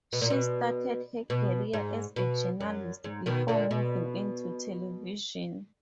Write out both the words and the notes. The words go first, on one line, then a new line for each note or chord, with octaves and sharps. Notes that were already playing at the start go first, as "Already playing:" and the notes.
She started her career as a journalist before moving into television.
B2
A#2
B2
B2
G#2
B2
F#2
G#2
B2 D#3
A#2 D3
B2